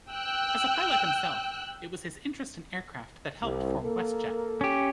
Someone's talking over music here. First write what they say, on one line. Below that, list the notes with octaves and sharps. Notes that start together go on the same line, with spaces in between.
As a pilot himself, it was his interest in aircraft that helped form WestJet.
G5 E6 F#6
C2
A#3 A4 A#4
C#4 G4